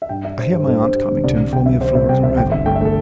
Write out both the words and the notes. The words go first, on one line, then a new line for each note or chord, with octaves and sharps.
I hear my aunt coming to inform me of Flora's arrival.
E5
G2 G5
D4 E5
G2 C5
G3 C5
G2 A4
G3 C5
G3
D3
C2 D5
C2
C2 G5
C2 E5
C2 C5
C2 E5
C2 G5
C2 E5
G1 G5
G1 E5
A3 G5
E5
A3
A4